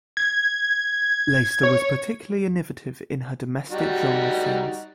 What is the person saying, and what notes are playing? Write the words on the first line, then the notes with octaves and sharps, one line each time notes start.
Leyster was particularly innovative in her domestic genre scenes.
G#6
C#5
G3 D#4 F#4